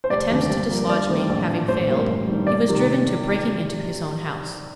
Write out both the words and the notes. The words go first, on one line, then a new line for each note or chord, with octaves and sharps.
Attempts to dislodge me having failed, he was driven to breaking into his own house.
C5
F1 D5
D#2 D3 A3 C4
G2
F3 A#3
G2 D5
D#3 A3 C4
A#1
A2 F3 A3
A1 C5
A2 G3 A#3
A1
G2 D#3 G3
F1 D5
C3 D#3